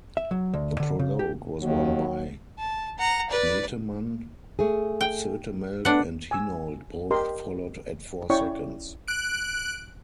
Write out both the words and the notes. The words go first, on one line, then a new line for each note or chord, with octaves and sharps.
The prologue was won by Knetemann; Zoetemelk and Hinault both followed at four seconds.
E5
F#3
D2
D3
C#3
G4
D#2 F#3
A5
F#5 A#5
B4 D5
A3 G#4
G5
A3 B3 D4 F#5
G#5 E6
G4 A#4 D#5 C6
C#4 E4 C#5 D5 G5 C#6
F#6 D7